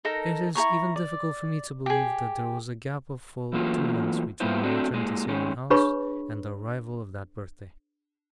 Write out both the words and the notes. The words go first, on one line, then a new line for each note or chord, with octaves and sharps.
It is even difficult for me to believe that there was a gap of full two months between my return to Salem House and the arrival of that birthday.
D#4 A4 A#4
E4 G#4 A#5 C#6
D5
G4 G#4
E3 F#3 A3 A#3 D#4 F4
G3 A#3 B3 E4 F4 C5
A3 C4 D4 F#4
A#2 G#3
D#3 G#3 C#4
D4 G#4 B4 C#5 B5 C#6